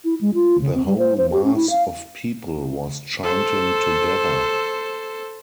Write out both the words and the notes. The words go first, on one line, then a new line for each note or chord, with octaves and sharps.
The whole mass of people was chanting together.
E4
G#3
F4
C#3
C4
G3
C5
C5
G4
C#4
E4
F5
A4 C5